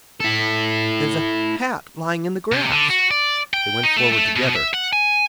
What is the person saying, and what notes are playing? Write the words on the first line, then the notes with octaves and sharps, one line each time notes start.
There is a hat lying in the grass.’ They went forward together.
E4 A4
C3
D3
F#4
D5
G5
D#4
A3
A3
B2
E5
F#5
G#5